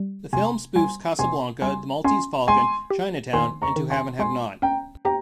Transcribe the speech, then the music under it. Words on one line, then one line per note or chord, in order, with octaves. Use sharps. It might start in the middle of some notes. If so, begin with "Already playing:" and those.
The film spoofs "Casablanca", "The Maltese Falcon", "Chinatown", and "To Have and Have Not".
Already playing: G3
C3 G#5 C6
G3 G#5 C6
C3 G#5 C6
G3 G#5 C6
C#4 G#5 C6
G#3 G#5 C6
G4
D#3 G#5 C6
A#5 C#6
D#3
G#5 C6
G#3 G#5 C6
C#4 G5 A#5
G4 G5 A#5